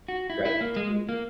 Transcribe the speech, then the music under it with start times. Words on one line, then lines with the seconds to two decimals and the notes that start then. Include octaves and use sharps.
right, tea
0.08 F#4
0.30 E4
0.45 E4
0.61 A#3
0.76 G#3
1.09 A#3